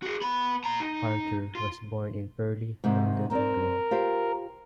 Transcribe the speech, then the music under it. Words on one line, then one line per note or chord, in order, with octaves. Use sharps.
Arthur was born in Purley, London, England.
F#4 G#4
B3 B5
A#2 A#5
D#4
F4
G#2 C3 D#3
C4 A#4 D5
F4 G4 C5